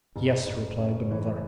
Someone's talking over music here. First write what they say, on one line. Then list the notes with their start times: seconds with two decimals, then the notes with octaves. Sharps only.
"Yes," replied the mother.
0.16 F#1
0.47 F#1
0.79 C#4
1.11 E3